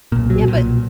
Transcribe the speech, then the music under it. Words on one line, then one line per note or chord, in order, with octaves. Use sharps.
Yeah, but
B1 A#2
F#3
B1 A#2